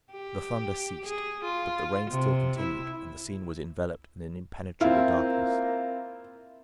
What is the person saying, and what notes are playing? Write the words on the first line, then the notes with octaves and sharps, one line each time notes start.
The thunder ceased; but the rain still continued, and the scene was enveloped in an impenetrable darkness.
G4
G#4
F4
C3
E4
A#3 C4 E4 F4